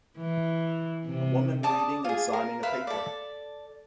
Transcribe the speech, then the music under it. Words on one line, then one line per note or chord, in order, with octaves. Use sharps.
A woman reading and signing a paper.
E3
C3
D5 A5 D6 D#6
F4 G#4
A#4
B4 E5 F5 B5
A4 D5